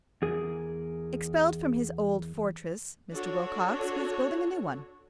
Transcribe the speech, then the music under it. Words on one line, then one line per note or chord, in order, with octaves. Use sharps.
Expelled from his old fortress, Mr. Wilcox was building a new one.
E2 G#4 A#4
D4 F#4 A4 C#5